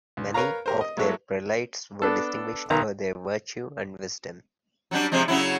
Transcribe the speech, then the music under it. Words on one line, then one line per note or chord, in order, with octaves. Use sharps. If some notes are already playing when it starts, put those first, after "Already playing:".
Many of their prelates were distinguished for their virtue and wisdom.
C#2
A#4 B4 C#5 F5 A#5
G4 A#4 C5
D#5
F#3 G#3 A#3 E4 A4 C#5
B3 D4 A4
B1 D#3 A#5
F#3 G3 D4
C3 F3 G#3
C#3 F#3 E4